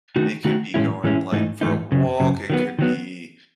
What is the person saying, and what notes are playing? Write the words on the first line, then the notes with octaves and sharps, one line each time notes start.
it could be going, like, for a walk, it could be
D#3 A3 D#4 F#4
D#3 A3 D#4 F#4
A2 E3 G#3 C#4 E4
A2 E3 G#3 C#4 E4
G#2 E3 A3 D#4
G#2 E3 A3 D#4
F#2 C#3
F#2 C#3
D#3 F#3 B3
D#3 F#3 B3